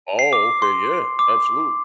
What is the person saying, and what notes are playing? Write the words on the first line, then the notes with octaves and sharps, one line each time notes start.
Oh, okay yeah, absolutely,
C7
D6
C6
D6